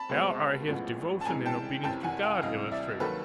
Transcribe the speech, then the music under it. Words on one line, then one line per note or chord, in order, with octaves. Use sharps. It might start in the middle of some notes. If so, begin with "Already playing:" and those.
How are his devotion and obedience to God illustrated?
Already playing: A5 B5
C#2 B2 G#3 C4
A1 A2 F3 G#3 B3
A5
C2 C3 E3 G#3 G#5 A#5
G5 A5
F#1 F2 C3 E3 G5 A5
F#5 G#5
F5 G5
D2 C3 E3 G3 D#5 F5
D5 E5
D#2 D#3 F#3 A4 B4